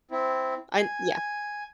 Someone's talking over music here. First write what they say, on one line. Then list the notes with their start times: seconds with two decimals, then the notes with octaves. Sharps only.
I n Yeah.
0.11 C4 E4
0.76 G#5